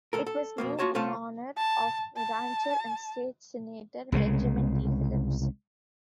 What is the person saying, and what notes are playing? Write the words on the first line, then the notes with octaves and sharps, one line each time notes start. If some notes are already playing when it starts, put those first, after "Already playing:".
It was named in honor of rancher and state senator Benjamin D. Phillips.
D2 A4 A#4
A4
F2 B2 A#3
A#3 F4 F#4 C#5 A5
C2 A3 C#4 F4 F5 A5
A5
A5
C2 C#3 E3 G#3